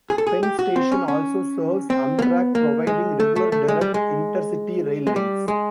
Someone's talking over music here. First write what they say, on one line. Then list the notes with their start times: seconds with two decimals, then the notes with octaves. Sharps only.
Penn Station also serves Amtrak, providing regular direct inter-city rail links.
0.10 G#4
0.18 A4
0.27 G#4
0.43 G4
0.59 F#4
0.76 C4
0.92 C#4
1.08 C#4
1.90 C4
2.19 A#3
2.22 B3
2.55 A#3
2.87 G#3
3.20 A3
3.36 A3
3.52 A3
3.68 G#3
3.81 G3
3.94 G#3
5.07 G#3
5.16 G3
5.48 G#3